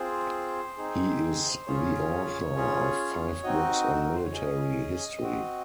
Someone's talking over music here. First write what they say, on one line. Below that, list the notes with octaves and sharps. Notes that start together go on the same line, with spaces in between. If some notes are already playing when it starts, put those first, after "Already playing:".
He is the author of five books on military history.
Already playing: C4 F4 G#4 C5
C4 D#4 G#4
C#4 F4 G#4 C#5
C#4 F4 G#4
C4 D#4 F#4 D#5
A#4
C5
C#5
C#4 G#4 D#5
C4 F#4